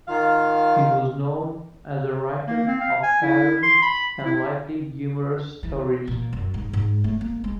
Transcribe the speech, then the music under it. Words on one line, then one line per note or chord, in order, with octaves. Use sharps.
He was known as a writer of parody and lightly humorous stories.
D#3 F4 F5
A#3
C4
F5
G#5
E4
C6
B5
E4
E3
A#2
F#2
G#2
G#2
A3
A#3
G#3